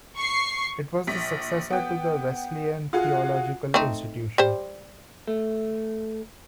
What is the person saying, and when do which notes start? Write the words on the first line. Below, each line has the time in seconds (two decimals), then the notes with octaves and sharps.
It was the successor to the Wesleyan Theological Institution.
0.17 C#6 C7
1.07 A#1 B6
1.70 B3 G5
2.93 F4 F#4 G#4
3.74 A3 C4 D#4
4.38 G3 C5
5.28 A3